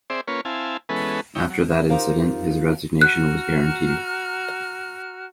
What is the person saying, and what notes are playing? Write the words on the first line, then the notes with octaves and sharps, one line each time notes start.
After that incident, his resignation was guaranteed.
C4 G#4 C5 D5 E5
A#3 C#4 F4 B4 C#5
C4 E4 F5 G#5 A5
E3 G#3 B3 C#4 A4 B4
D#4 E4 C#5 G5
F#3
D#4 F4 G4 A#4 C5 F5
F#4 A#5 F6 F#6